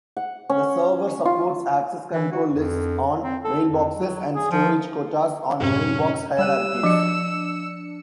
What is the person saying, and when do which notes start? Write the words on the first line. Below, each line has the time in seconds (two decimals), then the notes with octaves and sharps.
The server supports access control lists on mailboxes and storage quotas on mailbox hierarchies.
0.17 F#5
0.50 C#4
1.25 F4
2.12 E3
2.32 F#4
2.52 F2
3.23 C4
3.45 A4
3.69 F2
3.95 F#3
4.35 G#4
4.51 F3
5.60 F#2 A2 C3 C#4
6.39 G3 E6 F#6 D#7
6.83 F3 D4 C#7